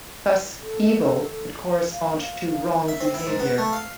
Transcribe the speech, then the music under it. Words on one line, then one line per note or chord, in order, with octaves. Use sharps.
Thus "evil" would correspond to wrong behavior.
A4
F5
E5
C4
E4
G#2
B3
A3
F5